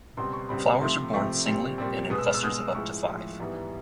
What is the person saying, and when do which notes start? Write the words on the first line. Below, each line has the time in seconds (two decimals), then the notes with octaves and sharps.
Flowers are borne singly and in clusters of up to five.
0.17 C#2 B2 G3 C4 C6
0.33 C#6
0.49 C#2 B2 G3 C4 B5
0.81 C3 F3 A3 C4 C6
1.13 C3 F3 A3 C4 C#6
1.46 A#2 G3 C4
1.78 A#2 G3 C4
2.10 B2 G#3 B3 D#6
2.18 E6
2.26 F6
2.34 E6
2.42 B2 G#3 B3 D#6
2.75 A2 F3 G#3 C#6
3.06 A2 F3 G#3
3.39 G#2 E3 G3 B3